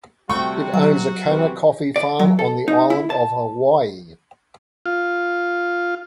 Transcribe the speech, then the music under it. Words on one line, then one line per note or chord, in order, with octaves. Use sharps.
It owns a Kona coffee farm on the island of Hawaii.
C3 G3 A3 F#4 G5 C#6
F#3
C3 E3 B3
D5
F#3
A4
D#4
E4
A5
F4